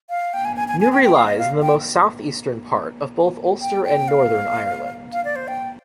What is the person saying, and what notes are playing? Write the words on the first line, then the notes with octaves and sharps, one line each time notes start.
Newry lies in the most south-eastern part of both Ulster and Northern Ireland.
F5
G5
G#5
G#5
G#5
G#5
G5
G5
F5
D#5
F5
G5
G5
G5
F5
F5
D5
C5
G5